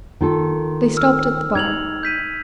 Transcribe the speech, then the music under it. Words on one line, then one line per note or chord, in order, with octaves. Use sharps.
They stopped at the bar.
D#3 F4 A4
E6 F6
D#4 G#6 F7 F#7
G6 B6 D#7